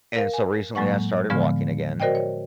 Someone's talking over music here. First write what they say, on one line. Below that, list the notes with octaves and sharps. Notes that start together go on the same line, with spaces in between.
And so recently I started walking again.
A#4 F5
G#5
A2 F#3 G#3 A#3 F#5 C#6
A2 D3 F3 G#3 B3 F6
F#4 A#4 C5 D5 D#5 G5
C#5